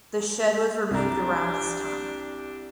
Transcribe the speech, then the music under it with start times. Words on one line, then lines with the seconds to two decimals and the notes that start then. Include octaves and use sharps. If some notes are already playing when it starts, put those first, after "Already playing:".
The shed was removed around this time.
0.91 C2 D4 G4 A#5